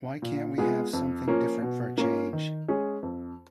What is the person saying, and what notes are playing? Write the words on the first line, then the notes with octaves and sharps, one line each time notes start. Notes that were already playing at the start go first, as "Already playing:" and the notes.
Why can't we have something different for a change?
A#2
G#3 B3 F4 G#4
F2
F3 A#3 C#4
B2
A#3 C#4 F4
D#3
G#3 C#4 G#4
F2